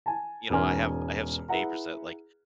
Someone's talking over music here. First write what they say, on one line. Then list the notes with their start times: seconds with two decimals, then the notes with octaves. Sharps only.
you know, I have I have some neighbors that, like,
0.06 G#5 A5
0.50 E1 G#2 C#4 A#4 G#5 F6
1.49 E4 G#4 B4 E5 F#5 A#5